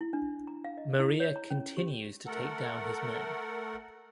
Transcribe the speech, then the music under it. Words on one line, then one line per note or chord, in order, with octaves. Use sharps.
Maria continues to take down his men.
E4
D4
A#5
F5
D#5
E4
C#5
A#5
C#4
G4
A3 A4 A#4 F#5